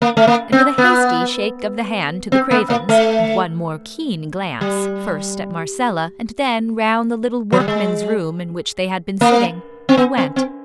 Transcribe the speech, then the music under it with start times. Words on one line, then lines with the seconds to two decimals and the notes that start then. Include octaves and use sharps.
And with a hasty shake of the hand to the Cravens, and one more keen glance, first at Marcella and then round the little workman's room in which they had been sitting, he went.
0.02 A#3
0.17 A3
0.27 A#3
0.52 C4
0.78 B3
2.32 C4
2.51 B3
2.70 A#3
2.89 A3
4.61 G3
7.52 F#3
7.60 G3
7.68 G#3
9.21 A#3
9.89 C4
9.97 B3
10.18 C4
10.36 C4